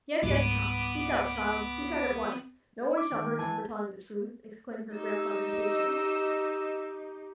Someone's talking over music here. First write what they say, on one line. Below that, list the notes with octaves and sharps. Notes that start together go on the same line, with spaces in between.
"Yes, yes, speak out, child; speak out at once; no one shall hurt you for telling the truth," exclaimed her grandfather, impatiently.
C#2 G#2 G3 B3 D6
D6
D#3 G5
E3 A5 G#6
D#4 G4 D#5 E6